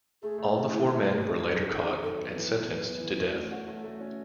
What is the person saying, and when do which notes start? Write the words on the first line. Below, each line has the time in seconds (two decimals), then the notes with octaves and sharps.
All the four men were later caught and sentenced to death.
0.22 A3 G#4
0.38 A3
0.55 D#3
0.72 E4 G#4
0.89 A3
1.05 D#4
1.11 G#4
1.20 F#2 F#4
1.37 F#3 G#4
1.53 F#3 G#4
1.70 D#3 A4
1.86 D#3 G#4
2.03 F#2 A4
2.20 B3
2.36 E3
2.52 B3
2.69 B3
2.85 E4
3.02 E3
3.19 A3 F#4
3.35 C#4
3.51 F#4
3.67 A3
3.84 A3
4.00 C#4